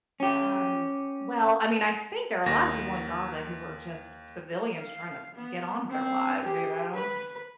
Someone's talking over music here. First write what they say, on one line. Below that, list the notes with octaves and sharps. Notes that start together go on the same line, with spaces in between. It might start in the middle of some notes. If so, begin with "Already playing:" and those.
Um, well, I mean, I think there are a lot of people in Gaza who are just civilians trying to get on with their lives, you know?
C#4 G4
D#2 A#6
F5
B3
C4
G4 G#4
B4